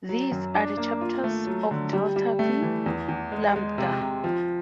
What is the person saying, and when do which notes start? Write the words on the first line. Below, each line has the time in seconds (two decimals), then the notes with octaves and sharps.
These are the chapters of Delta Phi Lambda.
0.09 F#3
0.32 F#2
0.54 D4
0.77 A#3
1.01 F4
1.24 A3
1.47 F#3
1.71 D3
1.93 G3
2.16 G3
2.39 A3
2.62 E3
2.86 E2
3.09 E2
3.32 G#3
3.56 G#3
3.78 C3
4.01 C3
4.24 F3